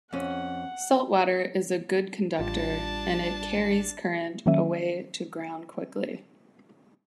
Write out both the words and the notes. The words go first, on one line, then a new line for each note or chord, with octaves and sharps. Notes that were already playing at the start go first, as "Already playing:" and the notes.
Salt water is a good conductor and it carries current away to ground quickly.
F2 C#4 F#5
A1 G3 D4 F4 A5
D#3 F#3 A#3 C#4 E5 D#7